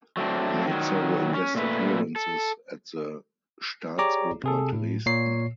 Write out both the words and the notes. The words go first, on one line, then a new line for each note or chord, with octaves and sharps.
He made several guest appearances at the Staatsoper Dresden.
F#3 A3 C4 D4
D#3 F#3
C#4
A#2 A3 B4
A4
G4 G#4 C#5 D5 A#5 D6
C3 G#4 A4
A2
A#2 C#5 C7